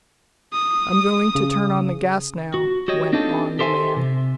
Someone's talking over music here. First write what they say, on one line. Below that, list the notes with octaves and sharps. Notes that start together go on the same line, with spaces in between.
"I'm going to turn on the gas now," went on the man.
D#6
C#3
F#4
F#4 G4 C#5 D#5
C4 D4 D#4 F4 G4 A4
G4 A4 C5 E5 F#5 G#5
C3